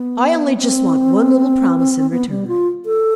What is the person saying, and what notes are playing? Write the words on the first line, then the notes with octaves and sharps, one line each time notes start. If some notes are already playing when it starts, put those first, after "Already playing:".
"I only just want one little promise in return."
Already playing: B3
C4
B3
G3
F4
A4